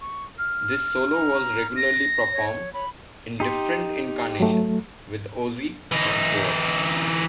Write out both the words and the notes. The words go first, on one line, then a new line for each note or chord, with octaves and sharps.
This solo was regularly performed, in different incarnations, with Ozzy on tour.
C#6
F6
A#5
A#6
C#5
C#5 B5
D#4 G4 C6
F#3 A3
E3 D#4